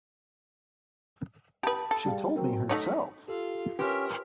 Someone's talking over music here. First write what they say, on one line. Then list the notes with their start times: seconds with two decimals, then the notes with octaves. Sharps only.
She told me herself.
1.63 G4 B4 A5 B5 D#6
1.91 A4
2.05 G3 G#4 F5
2.36 F#3 C4 A#4
2.69 A3 D#4 C#5 A#6 B6
3.28 F4 G4 A4
3.79 C#4 G4 A#4 B4 E5 C6 F6